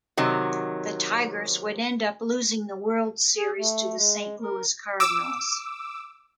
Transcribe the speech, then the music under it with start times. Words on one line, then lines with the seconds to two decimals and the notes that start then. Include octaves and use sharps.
The Tigers would end up losing the World Series to the Saint Louis Cardinals.
0.17 C3 D#3 F#3
3.38 G#4
3.59 A3
3.97 G#3
4.41 A#4
5.00 D6 E6